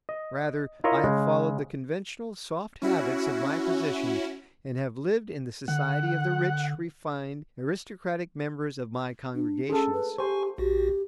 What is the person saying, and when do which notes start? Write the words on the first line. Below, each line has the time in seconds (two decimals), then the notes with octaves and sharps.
Rather, I have followed the conventional soft habits of my position and have lived in the society of the rich, refined, aristocratic members of my congregations.
0.09 D#5
0.84 E4 F4 A#4 C#5 D#5 E5
1.04 C#3 G#3
2.82 C#4 E4 F#4
5.68 D3 F#5
9.34 D4
9.69 C#4 G#4 A4
9.93 B4
10.18 G4 C5 G#5 C#6
10.58 A#1 F#4 G4